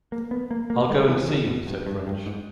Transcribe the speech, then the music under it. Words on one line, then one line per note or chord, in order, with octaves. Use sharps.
"I'll go and see," said French.
A#3
B3
A#3
A#3
G#3
E3
D#3
B2
G2
G2
G2
G#2